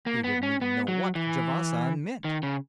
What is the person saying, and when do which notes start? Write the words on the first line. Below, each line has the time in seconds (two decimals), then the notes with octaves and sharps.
He didn't even know what Javasan meant.
0.06 A#3
0.24 B3
0.43 C#4
0.61 B3
0.88 F#3
1.15 E3
2.24 D#3
2.43 C#3